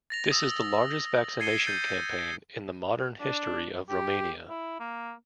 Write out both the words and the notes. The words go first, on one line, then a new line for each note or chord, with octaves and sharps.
This is the largest vaccination campaign in the modern history of Romania.
A6 A#6 F7
D#6 E6
G#6 A6 C7 C#7 D#7 G7
G6 A6 D#7
D4
G4
E4
A#3